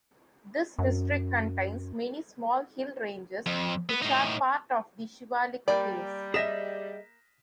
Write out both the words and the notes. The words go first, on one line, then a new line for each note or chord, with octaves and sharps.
This district contains many small hill ranges which are part of the Shivalik Hills.
F#2
F2
B3
A2 D#4
G3 A#3 D5 G5 B5
G#4 D#5 E5 A#6 B6 E7